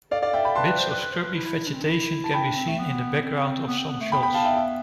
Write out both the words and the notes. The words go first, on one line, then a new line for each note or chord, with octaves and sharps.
Bits of scrubby vegetation can be seen in the background of some shots.
A4 D5 F5
D5 F5
E5 G5
G5 B5
B4 A5 C6
B4
C5
B4
B4
C5
B4
E4
E4
D4
C4
D4
E4
A5
E4 G5 B5
D4
C4
A3
B3
C4
B3
C4
B3
A3
B3 G5 B5
G5 B5
F5 A5
E5 G5
E5